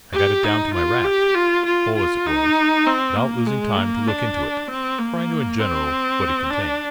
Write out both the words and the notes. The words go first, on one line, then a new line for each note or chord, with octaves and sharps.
I got it down to my raft, whole as it was, without losing time to look into it, for I knew in general what it contained.
G4
D#4
F4
G4
F4
F4
F4
D#4
C4
A#3
G#3
A#3
D4
C4
A#3
C4
D4